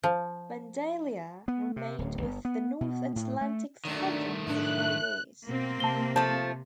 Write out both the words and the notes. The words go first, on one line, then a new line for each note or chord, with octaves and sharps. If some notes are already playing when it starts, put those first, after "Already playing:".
"Vandalia" remained with the North Atlantic Squadron for five years.
F3
B3
C3
D1
G1
B3
B2
A2
A3
D3 D#3 F#3 A3 D4
A2 D4 E4 A4 F#6
B2 A#3 C4
C3 A5 G7
F3 A3 A5